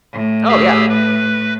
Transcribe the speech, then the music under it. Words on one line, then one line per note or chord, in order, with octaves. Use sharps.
Oh, yeah.
A2
G4 G#4 E6
B4